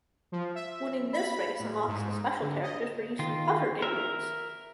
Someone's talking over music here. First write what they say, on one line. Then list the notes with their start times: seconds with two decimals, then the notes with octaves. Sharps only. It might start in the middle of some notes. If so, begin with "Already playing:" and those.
Winning this race unlocks the special characters for use in other game modes.
0.32 F3
0.55 E5
1.13 B5
1.59 A2
1.88 G#2
2.42 D3
2.63 D#5
3.19 D#3 F4
3.82 A#4 E5